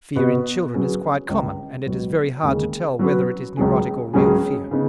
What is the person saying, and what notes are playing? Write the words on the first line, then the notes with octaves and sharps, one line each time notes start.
Fear in children is quite common and it is very hard to tell whether it is neurotic or real fear.
B2 B3 F#4 B4 D#5
F#3 C#4 G#4 B4
C#2 C#3 G#3
C#2 B2 F#3 B3
D#2 C#3 G#3 C#4 G#4
F#3 C#4 F#4 B4
C#2 C#3 F#3 C#4 G#4
C#2 C#3 F#3 C#4 G#4
C#3 B3 D#4